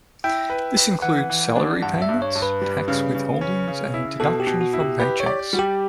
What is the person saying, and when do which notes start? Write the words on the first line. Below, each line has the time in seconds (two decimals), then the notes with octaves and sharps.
This includes salary payments, tax withholdings, and deductions from paychecks.
0.24 E4 G5
0.50 B4
0.77 B4
1.02 E3 F#5
1.30 E3
1.56 D4
1.82 G2 F#5
2.02 E5
2.09 G2
2.22 C#5
2.35 G2
2.42 B4
2.62 G3
2.88 C#3
3.14 C#3
3.41 C#4
3.68 C#3
3.94 E4
4.20 B2 A4
4.40 G4
4.47 B2
4.61 F#4
4.73 E4
4.80 G4
5.00 G4 B4
5.20 C#5
5.26 D5
5.53 G3 F#4
5.59 G4